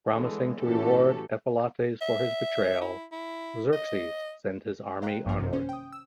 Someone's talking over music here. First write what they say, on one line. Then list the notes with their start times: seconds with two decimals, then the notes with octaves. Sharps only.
Promising to reward Ephialtes for his betrayal, Xerxes sends his army onward.
0.14 D3 E3 G#3
0.60 A2 E3 C#4 F#4 G4 A4
2.01 E5
2.81 E4
3.12 E4
3.73 D#5
5.02 C5 D#5 F5 G5 A#5 F#6
5.26 A1 G2 F3 A#3 A#4
5.38 F#2 C3 D#3
5.53 C#4 C5
5.69 G5 D#6
5.92 E6